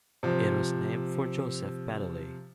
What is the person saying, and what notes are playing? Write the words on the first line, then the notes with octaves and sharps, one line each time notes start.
It was named for Joseph Baddeley.
C3 F3